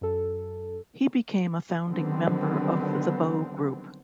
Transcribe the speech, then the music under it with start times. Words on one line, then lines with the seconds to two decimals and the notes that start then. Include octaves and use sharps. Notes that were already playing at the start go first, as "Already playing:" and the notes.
He became a founding member of the Bow Group.
0.01 F#2 A4
1.86 D3 D#3 F#3 G3 B3 C4